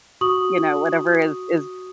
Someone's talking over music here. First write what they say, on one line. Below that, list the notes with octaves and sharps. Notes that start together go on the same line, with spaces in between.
you know, whatever is is
F#4 C#6 D#6 F#7